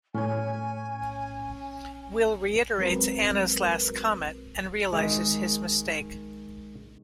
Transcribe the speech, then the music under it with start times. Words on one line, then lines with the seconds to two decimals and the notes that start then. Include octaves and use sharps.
Will reiterates Anna's last comment and realizes his mistake.
0.14 A2 C#4 C#5 G#5
2.78 F#3 G#3 C4 A#4 B4
4.93 D#3 G#3